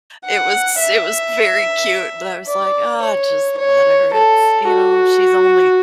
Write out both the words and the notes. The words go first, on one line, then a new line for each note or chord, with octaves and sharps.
it was it was very cute, but I was like, "Ah, just let her," it's, you know, she's only
F#5
E5
D5
C#5
C#5
A4
F#4